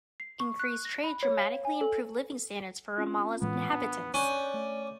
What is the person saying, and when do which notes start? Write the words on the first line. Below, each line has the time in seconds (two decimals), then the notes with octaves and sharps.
Increased trade dramatically improved living standards for Ramallah's inhabitants.
0.20 C7
0.40 C#6
0.59 F#6
0.85 A#6
1.04 B5
1.23 C#5
1.38 F5
1.65 G#5
1.81 A4
2.98 C4 C#4 F4
3.42 A2 E3 G#3 B3
3.73 D4 G#5
4.14 C#4 D5 F#6 G6
4.54 A3